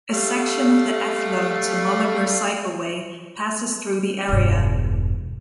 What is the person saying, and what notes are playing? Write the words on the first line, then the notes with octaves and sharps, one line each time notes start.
A section of the Athlone to Mullingar Cycleway passes through the area.
G3 A3 F5
E1 G2